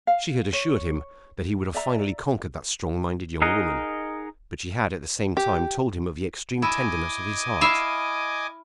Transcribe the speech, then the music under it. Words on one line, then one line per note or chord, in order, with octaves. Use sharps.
She had assured him that he would have finally conquered that strong-minded young woman. But she had at the same time told him of the extreme tenderness of his heart.
F5
C#5
D5 E5 A#5
D#4 G#4 A#4 D#5 F#5
G4
E4 D#5 G#5 D6
E4 E5 F5